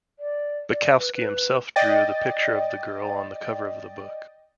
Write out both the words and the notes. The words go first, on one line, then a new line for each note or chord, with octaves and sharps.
Bukowski himself drew the picture of the girl on the cover of the book.
D5
D5
B4
B4
D5 D#5 G5 A6